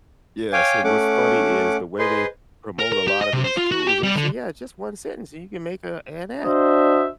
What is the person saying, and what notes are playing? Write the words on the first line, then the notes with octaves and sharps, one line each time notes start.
Yes, and what's funny is the way they promote a lot of these tools, they say, "Yeah, it's just one sentence and you can make a an app."
C#5 F5 G5 G#5 D6
A3 C#4 F#5 D6
G#4 B4 C5 D#5 C6
A#4
A#4
G4
D#5
C3
C5
F4
F#4
G4
G3
D3
D4 F#4 C5 D#5 E5